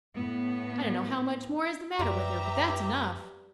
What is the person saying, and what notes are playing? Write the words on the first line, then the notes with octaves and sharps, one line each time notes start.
I don't know how much more is the matter with her, but that's enough.
A2 B3
F#2 G3 G4 B4 E5 A#5